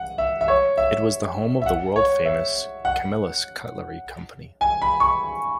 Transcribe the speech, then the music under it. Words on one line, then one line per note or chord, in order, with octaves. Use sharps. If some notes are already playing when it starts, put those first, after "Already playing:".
It was the home of the world-famous Camillus Cutlery Company.
Already playing: F#5
E5
E5
C#5
E5
E5
F#5
C#5
E5
F#5
G#5
B5
C#6